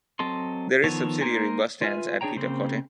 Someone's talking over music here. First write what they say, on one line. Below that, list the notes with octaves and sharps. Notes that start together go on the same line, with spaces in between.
There is subsidiary bus stands at Pita Kotte.
F#3 C4 A4 D#5 C6
D#3 F3 B3 A4 C#5
A#3 D#4 A#4 C5 G#5
F4 B4 E5 G#5 F6
D4 G#4 C#5 G5 A#5
C#3 A#3 C4 C5